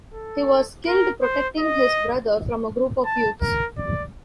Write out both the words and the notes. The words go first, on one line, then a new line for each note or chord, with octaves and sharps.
He was killed protecting his brother from a group of youths.
A4
A#4
C5
D#5
A5
A#4
D5